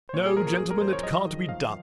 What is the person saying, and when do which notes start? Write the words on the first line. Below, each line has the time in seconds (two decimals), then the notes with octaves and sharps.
No, gentlemen, it can't be done.
0.09 C5
0.14 A#2 C#5
0.26 G#4
0.36 F3 A#4
0.47 A#4
0.58 F#2 G#4
0.70 A#4
0.81 F3 C5
0.93 C#5
1.03 F#3 D#5
1.26 D#3
1.48 F3 F5